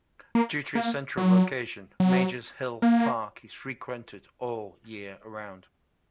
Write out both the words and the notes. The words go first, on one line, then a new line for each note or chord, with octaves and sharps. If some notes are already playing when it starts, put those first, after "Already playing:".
Due to its central location, Major's Hill Park is frequented all year round.
A#3
A#3
F#3
F#3
A#3